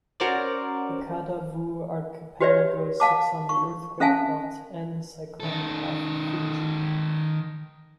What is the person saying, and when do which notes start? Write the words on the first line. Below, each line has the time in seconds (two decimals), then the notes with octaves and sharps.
The Kadavu archipelago sits on the earthquake belt and the cyclone path of Fiji.
0.20 C#4 F#4 A#4 C5 D5
2.40 F#4 G4 B4 C#5 D5 E5
3.00 F5 A5 D6
3.49 C#6
4.00 C#4 A4 E5 F5 G#5 A5
5.40 D#3 A4